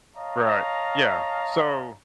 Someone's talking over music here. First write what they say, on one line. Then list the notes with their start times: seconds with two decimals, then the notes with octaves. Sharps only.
Right. Yeah. So,
0.16 C#5 D#5 F5 A5 A#5